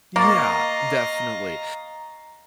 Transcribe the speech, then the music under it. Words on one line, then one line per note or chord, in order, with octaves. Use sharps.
Yeah, definitely,
A#3 D#5 F5 A#5 C#6 A6